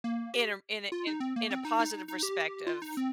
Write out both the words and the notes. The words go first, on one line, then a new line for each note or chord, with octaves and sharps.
In, um in a in in a positive respect of,
A#3
G4
F4
D#4
C4
A#3
C4
D#4
D#4
D#4
G4
F4
D#4
C4